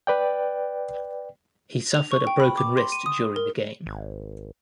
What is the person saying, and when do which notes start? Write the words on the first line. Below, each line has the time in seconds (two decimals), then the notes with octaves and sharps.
He suffered a broken wrist during the game.
0.07 B4 D5 G5
1.94 F7
2.12 C#6
2.27 G5
2.40 B5
2.57 D6
2.77 C6
2.92 D#7
3.06 D#6
3.36 A#4
3.86 G#1